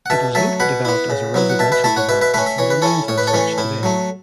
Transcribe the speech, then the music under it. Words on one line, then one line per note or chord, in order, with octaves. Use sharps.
It was later developed as a residential development and remains as such today.
F#5
B2 E5 A5
F#3 A3 E5 A5
B2 F#5 B5
B3 E4
C#3
F#3 B3 E4
F#5
B2 E5 A5
B4 E5
A3 E4 E5 A5
C#5 F#5
B2 B4 E5
B4 E5
A3 C#4 B4 E5
E5
E3 C#5
B4
C#4 E4 A4 C#5
A2 C#5
B4
A4 C#5
E3 A3 C#4
A2 E4
F#3 A3